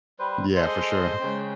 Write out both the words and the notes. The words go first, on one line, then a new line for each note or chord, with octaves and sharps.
Yeah, for sure.
G3 B4 C5
G#3 G#4 A4 C5 D#5
C#3 G#3 G5